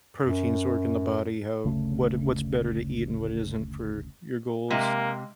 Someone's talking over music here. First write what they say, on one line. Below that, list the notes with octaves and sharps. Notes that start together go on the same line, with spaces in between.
proteins work in the body, how what what's better to eat and what isn't for your goals,
F#2
F#1 D2 C#3 A3
C3 G#3 A#3